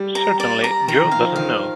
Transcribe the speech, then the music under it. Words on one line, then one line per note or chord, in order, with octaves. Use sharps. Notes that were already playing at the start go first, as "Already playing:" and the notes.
Certainly Jo doesn't know.
Already playing: G3
A#5
D5
A#5
D#3 A#5
D#3
F5
F3
D#3 F5